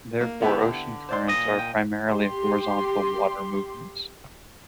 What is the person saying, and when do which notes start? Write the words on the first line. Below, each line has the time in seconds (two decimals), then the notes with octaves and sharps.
Therefore ocean currents are primarily horizontal water movements.
0.21 A#3
0.42 D3 B3 E4 G4
1.09 C5 D5 C6
1.28 A#2 D#5 D#6
1.59 G5
2.09 G4 C6